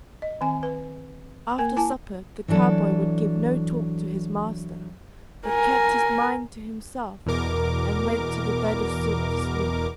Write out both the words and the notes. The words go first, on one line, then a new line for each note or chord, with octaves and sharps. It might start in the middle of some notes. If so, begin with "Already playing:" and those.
After supper the cowboy would give no talk to his master, but kept his mind to himself, and went to the bed of silk to sleep.
D#5
D#3 C4 G#5
B4
A#3 A#4 G#5
E4 G#5 A5
E3 F#3 D4 A4
A#4 G#5
E2 B2 A#4 D6